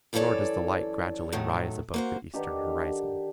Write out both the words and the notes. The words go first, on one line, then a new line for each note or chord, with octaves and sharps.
Nor does the light gradually rise above the eastern horizon.
F#2 E3 F4 A4 C#5 D5
A2 D#3 F#3 A3
A#3 F#4 C5
D3 D#3 G4